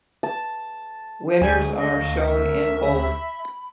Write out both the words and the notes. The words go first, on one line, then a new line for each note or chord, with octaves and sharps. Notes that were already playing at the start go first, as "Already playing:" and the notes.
Winners are shown in bold.
A5
D2 G#3 G#5
D#5
F5
A#4 E5
B5